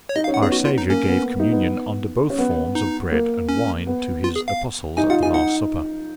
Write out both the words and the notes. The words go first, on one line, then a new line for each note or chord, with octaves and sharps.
Our Savior gave communion under both forms of bread and wine to His Apostles at the last Supper.
C#5
D#4 D#5
F5
C#4
F#5
B3 G#4
F#4
F4
D#4
A#3 C#4
B3
D#4
B3
C#4
B3
D#4
A#3
C#4
B3
F4
G#4
F5
D#4 G#5
F4 F#5
D#4 G#5
D#4 F#5